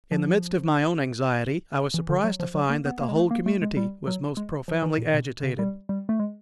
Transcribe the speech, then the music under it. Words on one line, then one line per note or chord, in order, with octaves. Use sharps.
In the midst of my own anxiety I was surprised to find that the whole community was most profoundly agitated.
F3
E3
D3
F#3
F3
F#3
A#3
B3
A#3
G#3
A3
A#3
A3
G#3
G3
F#3
G#3
F3
E3
A#2
B2
C#3
G3
G3
A3
G#3